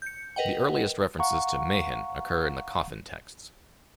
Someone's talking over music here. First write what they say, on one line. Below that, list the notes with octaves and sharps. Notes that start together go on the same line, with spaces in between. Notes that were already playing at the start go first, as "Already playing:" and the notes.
The earliest references to Mehen occur in the Coffin Texts.
G6 C#7
A#4 B4 D#5 F#5 G5
F5 F#5 A#5 C#6